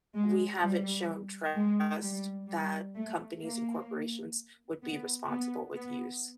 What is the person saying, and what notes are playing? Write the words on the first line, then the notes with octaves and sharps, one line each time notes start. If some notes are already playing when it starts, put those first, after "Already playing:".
we haven't shown trust that companies and corporations would be responsible with use.
G#3
G3
G#3
G3
G3
A3
A#3
B3
B3
B3